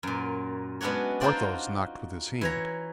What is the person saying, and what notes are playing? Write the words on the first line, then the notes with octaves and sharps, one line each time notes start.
Porthos knocked with his hand.
F#2 A#2
G#3 B3 C#4 D4 F#4 C#5
D4 D#4 F4 F#4 C5 D5
E3 C#5 A#5